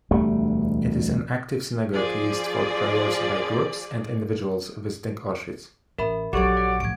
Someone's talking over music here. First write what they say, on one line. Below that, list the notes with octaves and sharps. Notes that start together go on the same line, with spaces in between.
It is an active synagogue used for prayers by groups and individuals visiting Auschwitz.
E1 D2 G3 A3
F3 G#4 D5
A1 A#4 E5 B5
A#1 F#3 F#4 G4 A4 C#5 D5 C#6
F#5
A2 F3 G#6 D7